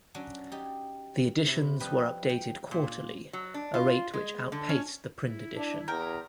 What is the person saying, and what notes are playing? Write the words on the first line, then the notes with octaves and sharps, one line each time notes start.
The editions were updated quarterly-a rate which outpaced the print edition.
F#3 C#4 D4
D#4 G4
C3 E4
F3 G3 G4 B4 D#5
G5
A#2
F#3
D4
F4
G#3
D3
C#4
E4
D4
E2 A#4 G5